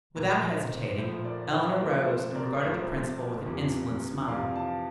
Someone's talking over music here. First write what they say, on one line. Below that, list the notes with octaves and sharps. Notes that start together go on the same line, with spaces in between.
Without hesitating, Eleanor rose and regarded the principal with an insolent smile.
A#1 A#2 F3 A3 A#4
C5
A#1 A#2 F3 A3 C5 E5
A#4 D5
D5
C5
A#1 A#2 F3 A3 A#4
C5
A#4 D5
A#1 A#2 F3 A3 C5 E5
F2 C3 E3
F2 C3 E3 D5 F5
F5 A5